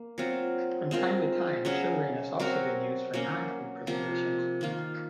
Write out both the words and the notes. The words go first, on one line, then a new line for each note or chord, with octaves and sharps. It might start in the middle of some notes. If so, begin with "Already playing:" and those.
From time to time sugaring has also been used for non-food preservations.
Already playing: A#3
F#3 C4 F4
G#3 C4 F4 A#4
C#3 F#3 C#4 G#4
F#3 C4 F#4 A#4
F#3 A#3 C#4
C3 F3 A#3
D#3 A#3 F4